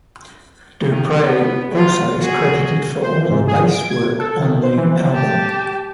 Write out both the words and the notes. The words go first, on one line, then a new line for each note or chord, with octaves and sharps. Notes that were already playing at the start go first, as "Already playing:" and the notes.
DuPree also is credited for all of the bass work on the album.
D#3
B3
F#3 F4
F#4 G#4
C5
G#2
G#4
D7
G#6
A4
D#3
C5
E3
G4 A5